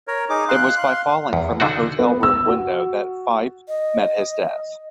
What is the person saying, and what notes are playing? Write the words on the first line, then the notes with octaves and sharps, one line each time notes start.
It was by falling from a hotel room window that Fyffe met his death.
A#4 C#5
D#4 G#4 D6
F5 C6 F#6
F5 C6
E2
D3 D4 D#4 F#4
B3
E6
F#4
D#5